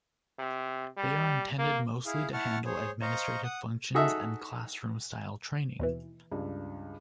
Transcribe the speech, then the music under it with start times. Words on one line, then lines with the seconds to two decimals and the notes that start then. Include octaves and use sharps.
They are intended mostly to handle administrative functions and classroom style training.
0.39 C3
0.97 G3
1.58 A#3
2.06 E4 G#4 F5
2.33 E4 F#5 A5 C#6 F6
2.66 G#4 C5 C#5
3.02 C5 D#5 F5 A#5 C#6
3.44 F#5 D#6
3.95 D#4 F#4 G#4 A4 D#5 E5
5.80 D#2 B2 E3
6.31 C#2 G2